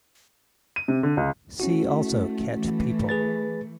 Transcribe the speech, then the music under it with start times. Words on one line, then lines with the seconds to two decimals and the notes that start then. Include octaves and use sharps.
See also Ket people.
0.76 D#7
0.88 C3
1.03 D3
1.17 C#2
1.60 A3 C#4 E4 F#4
2.52 E3 A3
3.09 G#4 B4 A6